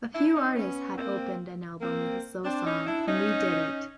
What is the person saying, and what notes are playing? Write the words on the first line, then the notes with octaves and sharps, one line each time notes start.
A few artists had opened an album with a slow song and we did it.
D4 E4
C#4 D#4
B3 C#4
A#3 C4
A#3 C4
C4 D4
C#4 D#4
D4 E4
C#4 D#4